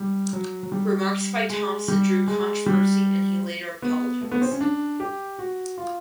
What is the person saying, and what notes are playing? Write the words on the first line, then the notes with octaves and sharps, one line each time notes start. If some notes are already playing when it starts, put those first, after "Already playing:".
Remarks by Thompson drew controversy and he later apologized.
Already playing: G3
F#3
F#3
G3
G#3
G3
G#3
G3
B3
A3
B3
C4
C#4
D4
G4
F#4
F4